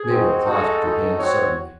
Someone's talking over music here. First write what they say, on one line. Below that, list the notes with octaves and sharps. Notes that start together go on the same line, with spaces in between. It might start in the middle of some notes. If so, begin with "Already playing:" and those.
Mabel clasped her hands suddenly.
Already playing: G#4
C4 D#4 F#4
G#3 D#4 F#4 A4
G#3 D#4 F#4
C4 F#4 C#5